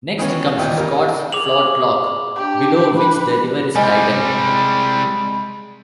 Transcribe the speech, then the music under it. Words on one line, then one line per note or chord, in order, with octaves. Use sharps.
Next comes Scots Float Lock, below which the river is tidal.
D#3 E3 B3 C#4
A1 D#2 A#2 D#4 G5
A#2 G3 A#4
G#4 D6 F7 F#7
D4 G4
B4
C3 G3 G#3 D#5 G#5 B5